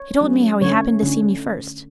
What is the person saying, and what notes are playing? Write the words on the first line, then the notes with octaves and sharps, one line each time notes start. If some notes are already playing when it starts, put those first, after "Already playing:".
He told me how he happened to see me first.
Already playing: C#5
F#3 A3 C#4
D3 A3 C#4 C#5
D3 A3 C#4